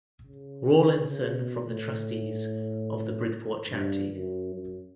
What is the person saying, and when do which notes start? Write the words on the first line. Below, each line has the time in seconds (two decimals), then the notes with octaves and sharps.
Rawlinson from the trustees of the Bridport Charity.
0.23 C#3
1.09 C#3
1.37 B2
1.66 A2
3.67 G2
4.11 F#2
4.54 F#2